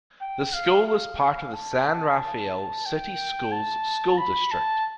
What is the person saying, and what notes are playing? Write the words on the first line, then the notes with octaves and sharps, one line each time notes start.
The school is part of the San Rafael City Schools school district.
G5
F5
F5
F5
A5
G5
A5
B5
A5